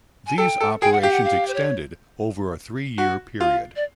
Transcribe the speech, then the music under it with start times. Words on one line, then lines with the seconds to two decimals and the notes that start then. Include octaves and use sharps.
These operations extended over a three-year period.
0.27 G#5
0.38 A4 G5
0.60 A4
0.82 G#4 G5
0.92 F#5
1.01 G4 F5
1.12 F#5
1.24 F5
1.48 C5
1.54 C#5
2.98 F#4
3.40 F4
3.76 D5